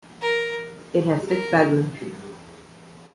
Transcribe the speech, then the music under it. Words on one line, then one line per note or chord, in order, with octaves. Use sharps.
It has six bedrooms.
A#4
A#4